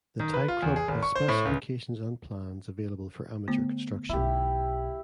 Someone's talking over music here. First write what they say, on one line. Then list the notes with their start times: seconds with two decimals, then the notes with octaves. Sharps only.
The type club has specifications and plans available for amateur construction.
0.20 D#3
0.34 B4
0.48 F4
0.62 E2
0.76 G#4
0.88 G#1
1.03 C#6
1.15 C5
1.28 A2
1.45 C#2
3.48 D3 A3 B3
4.09 B1 E4 F4 G4